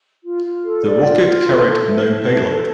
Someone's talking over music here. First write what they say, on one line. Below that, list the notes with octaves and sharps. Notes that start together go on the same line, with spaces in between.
The rocket carried no payload.
F4
F4
A4
D5
F4
F4
A4
A4
E5
A5
A4
A4